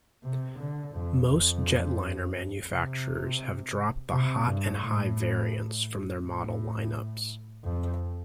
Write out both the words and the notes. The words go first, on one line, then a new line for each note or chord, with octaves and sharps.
Most jetliner manufacturers have dropped the "hot and high" variants from their model lineups.
C3
D3
F2
F2
C3
C3
G2
A2
A2
F2